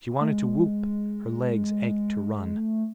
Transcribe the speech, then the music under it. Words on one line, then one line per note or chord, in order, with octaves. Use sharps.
She wanted to whoop, her legs ached to run.
A3
G#3
A3